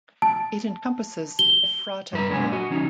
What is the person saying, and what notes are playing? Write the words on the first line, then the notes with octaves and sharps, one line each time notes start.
It encompasses Ephrata Borough.
A5
G7
G2 B4 A#5
F#2 G#3 D4 G4 G#5
F#4 D#5
E3 C#4 D#4